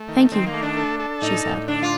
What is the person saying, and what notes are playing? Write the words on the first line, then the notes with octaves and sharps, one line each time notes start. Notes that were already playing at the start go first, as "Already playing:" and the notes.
"Thank you," she said.
Already playing: A3
D#3
D#3 C4
A#3
A3
D4
A4
A4
A2 D#4
A2
D3 D4
F4